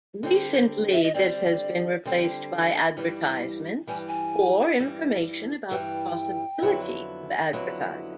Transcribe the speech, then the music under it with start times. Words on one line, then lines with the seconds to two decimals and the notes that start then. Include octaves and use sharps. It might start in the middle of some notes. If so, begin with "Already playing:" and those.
Recently, this has been replaced by advertisements, or information about the possibility of advertising.
0.23 D3 G3 C4
0.54 C5
0.93 E5
1.03 D#5
1.14 D3 G3 C4 D5
2.05 D3 G3 C4
2.97 G2 E3 G3
3.87 G2 E3 G3 G#5
4.08 G#5
4.79 G2 E3 G3
5.70 G2 E3 G3 G5
6.62 F2 D3 F#3 B3 E4
7.53 F2 D3 F#3 B3 E4